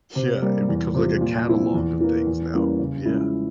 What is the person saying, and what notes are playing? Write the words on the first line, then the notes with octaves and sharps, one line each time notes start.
Yeah, it becomes like a catalog of things now, yeah.
C3
G3 A#3
E2
C3 F3
A#2
F3 C4 E4
E2
E3 A#3
E2
E3 G3 A#3 C#4
C#3
F3 G#3 C#4 E4